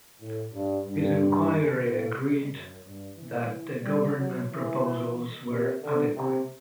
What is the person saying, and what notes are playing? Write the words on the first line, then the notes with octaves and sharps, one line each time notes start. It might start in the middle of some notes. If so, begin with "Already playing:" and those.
His enquiry agreed that the government proposals were adequate.
A2
G2
G2
A2
F#2
G2
E3
G3
F#3
E3
C3
D3
C3